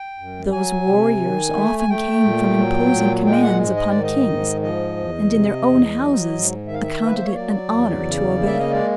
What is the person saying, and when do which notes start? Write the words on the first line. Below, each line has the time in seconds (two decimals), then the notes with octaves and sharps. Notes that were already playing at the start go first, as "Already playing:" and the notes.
Those warriors often came from imposing commands upon kings, and in their own houses accounted it an honor to obey.
Already playing: G5
0.18 F#2
0.52 F#3 G#5
0.86 C3
1.21 D#3
1.54 A3
1.79 G#5
1.89 A3 G5
2.24 A#2
2.57 F#3
2.92 A#2
3.25 G#3 G5
3.42 F#5
3.60 G#2
3.76 D#5
3.89 D#3 D5
4.03 D#5
4.28 G#2
4.62 F3 D#5
4.97 E2
5.31 C3
5.65 E2
5.99 F#3
6.32 G#2
6.66 D#3 E5
6.74 F5
6.82 E5
7.01 A#3 B4
7.16 C5
7.25 C#5
7.35 F#3 D5
7.69 E2
8.04 C#3
8.37 A#3
8.46 E5
8.60 D#5
8.71 G#3 D5